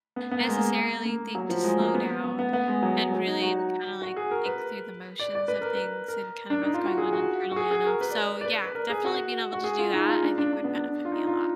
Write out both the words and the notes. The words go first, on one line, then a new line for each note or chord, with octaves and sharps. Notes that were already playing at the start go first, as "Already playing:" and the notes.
necessarily think to slow down and really, kinda, like, think through the motions of things, and kind of what's going on internally enough, so yeah, definitely being able to do that, I think, would benefit me a lot.
B3
B3
A#3
G#3
A#3
A#3
F#3
F3
G#3
A#3
B3
B3
B3
B3
G#3
F#3
F#3
D#4
F#4
F#4
G#4
A#4
B4
D5
D5
B4
A#4
B4
A#4
D4
D#4
F4
F#4
G#4
F#4
F#4
G#4
G#4
A#4
B4
D5
B4
D5
B4
B4
A#4
G#4
F#4
F#4
G#4
F4
D#4
F4
D4
D4
D4
B3
D4
F4
D#4
F4